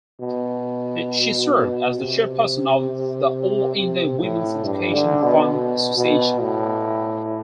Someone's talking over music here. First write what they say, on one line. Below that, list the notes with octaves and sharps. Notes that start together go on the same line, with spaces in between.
She served as the Chairperson of the All India Women's Education Fund Association.
B2
C3
C3
A2
G2
D3
B2
B2
B2
A2